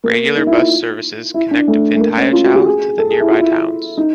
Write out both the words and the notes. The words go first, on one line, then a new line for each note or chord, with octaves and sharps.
Regular bus services connect Vindhyachal to the nearby towns.
A#3
D#4
E4
F4
E4
D4
A3
A3
A#3
C#4
F4
F#4
G4
G#4
A4
G#4
E4
F4
E4
D#4